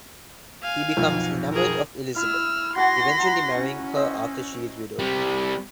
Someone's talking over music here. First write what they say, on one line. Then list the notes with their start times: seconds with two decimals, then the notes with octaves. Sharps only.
He becomes enamoured of Elizabeth, eventually marrying her after she is widowed.
0.63 F5 G#5
0.97 B1 F2
1.53 G#4 A#4
2.16 E4 E6 F6
2.76 F#4 F#5 G#5 C6 A#6
3.20 A#5
3.58 C#4
3.96 C5 D#5 E5
4.99 G3 C4